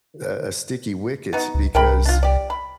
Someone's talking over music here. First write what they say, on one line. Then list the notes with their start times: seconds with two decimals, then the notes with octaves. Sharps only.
a a sticky wicket because
1.33 B3 D#4 F#4
1.55 C#2
1.75 C2 A#4 G5 B5
2.05 D4 F4
2.23 G4 D5
2.50 B5